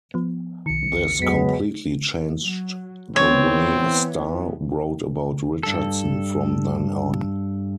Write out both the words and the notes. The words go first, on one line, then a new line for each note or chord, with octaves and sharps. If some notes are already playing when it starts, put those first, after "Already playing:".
This completely changed the way Starr wrote about Richardson from then on.
F3 B3
B1 D#3 C#7
F2 F#3 G#3 B3 B6
F#3
E3 B3 C4 C#5
G2 A4